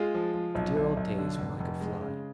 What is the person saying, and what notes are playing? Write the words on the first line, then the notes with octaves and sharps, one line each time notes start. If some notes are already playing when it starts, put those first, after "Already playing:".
"The dear old days when I could fly!"
Already playing: G#3 F4 G#4
F3
F3
B1
B1
B1
D3
F1
F1
G#3
C#3